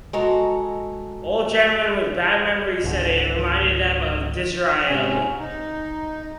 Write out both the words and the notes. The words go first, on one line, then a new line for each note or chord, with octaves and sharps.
Old gentlemen with bad memories said it reminded them of Disraeli.
G#3 F#4 A4 A#5
G#1 C#2 D3
G#2 C3 C#4
D#4